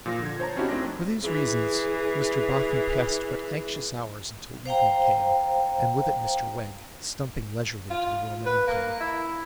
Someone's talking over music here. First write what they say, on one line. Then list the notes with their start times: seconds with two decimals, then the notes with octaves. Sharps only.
For these reasons Mr Boffin passed but anxious hours until evening came, and with it Mr Wegg, stumping leisurely to the Roman Empire.
0.06 A#2 F3 F4 A#6
0.22 D3 G#6
0.40 C5 C#5 A5 A#5
0.56 C4 C#4 D#4 E4 F#4 G4
0.69 F2 A3 C4 D4 A#6
1.22 E3 G#4
4.66 C5 F5 G5 A#5
7.90 F4
8.46 B4
8.67 A#3
9.00 E4